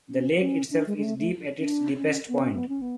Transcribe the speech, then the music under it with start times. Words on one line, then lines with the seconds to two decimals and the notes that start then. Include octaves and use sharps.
The lake itself is deep at its deepest point.
0.09 C#4
0.40 C#4
0.71 D4
0.87 G#3
0.97 G#3
1.03 A3
1.19 A3
1.59 C#4
1.66 D4
1.97 C#4
2.28 B3
2.41 C#4
2.55 B3
2.69 C#4
2.82 B3